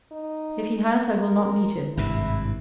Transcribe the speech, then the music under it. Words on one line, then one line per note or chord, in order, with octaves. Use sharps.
If he has, I will not meet him.
D#4
A#4
G#1 G2 C3 E4